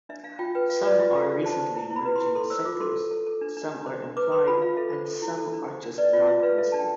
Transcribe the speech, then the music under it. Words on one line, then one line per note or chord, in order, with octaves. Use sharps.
Some are recently emerging sectors, some are implied and some are just not listed.
D4 E5
D4 F5
F4 G5
B4 G5
F4 F5
B4 D5
F4 E5
A4 F5
F4
C5 A5
C5
E4
E4
B5
B4
E4 C6
A4 C6
C5 E6
F4 D6
A4 C6
A4
A4
A4
D4
D4
D4
C5
D4
B4 D6
B4 C6
F4 B5
F4 F5
A4 E5
C5
A4
E4
A4
D4
C5
D4
B4 D5
F4 D5
F4 E5
B4 F5
A4 E5
D4 A5
G5